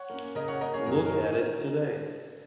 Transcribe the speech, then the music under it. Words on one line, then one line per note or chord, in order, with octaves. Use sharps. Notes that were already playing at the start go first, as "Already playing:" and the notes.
Look at it today.
Already playing: C#5 F#5
A#3 C#4
C#3 A#4 D#5
C#5 F#5
A#3 C#4 A#4 D#5
G#4 C#5
F#2 A#4
G#4
A#4
D#3